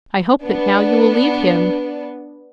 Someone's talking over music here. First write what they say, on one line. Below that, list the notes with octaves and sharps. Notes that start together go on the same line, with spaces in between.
I hope that now you will leave him.
B3 D4